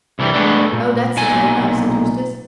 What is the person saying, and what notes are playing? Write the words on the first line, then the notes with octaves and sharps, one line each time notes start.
"Oh, that's simple enough," said Eustace.
C2 E3 G3
G#3 A3 B3 D4
A#2
B1 A#2 G#5